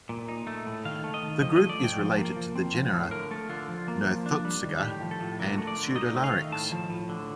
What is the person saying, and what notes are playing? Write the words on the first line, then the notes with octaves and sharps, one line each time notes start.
The group is related to the genera "Nothotsuga" and "Pseudolarix".
A#2
D#4
A3
A2
D#3 F5
A3
D#5
D#3
F3 D#5
A3 D#5
D5
F3 G5
F3
A#3
F3
C4
F3
A2
D3 A#4
A3 A4
D3 F4
F3
A#3
F3
D4
G3
D#3
A2 G4
F3
A4
A2
D3 A#4
A3
D5
D3
D#4 D#5
A3
F5
D#3
A2 A5
F3
A2
D3